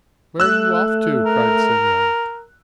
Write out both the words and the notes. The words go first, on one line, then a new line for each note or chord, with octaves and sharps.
"Where are you off to?" cried Semyon.
A3 E6 F#6
A#4